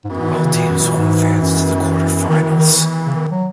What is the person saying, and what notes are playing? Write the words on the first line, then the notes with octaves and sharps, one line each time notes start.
All teams will advance to the quarterfinals.
G#2
F#2
G#2
D#3
C#3
A#2
F#2
A#2
G#2
F#2
D#3
D#3
D#3
C#3
D#3
F#3